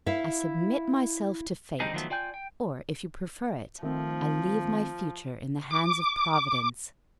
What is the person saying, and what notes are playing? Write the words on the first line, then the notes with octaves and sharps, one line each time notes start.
I submit myself to fate; or, if you prefer it, I leave my future in the hands of Providence.
E4 E5 F5
D3 G3 C4 D#4 G#4
D#3 F3 F#3 A3 B3
F4 D5 G5 G#5 G6
G5
D#3 F3 A3 C4
D6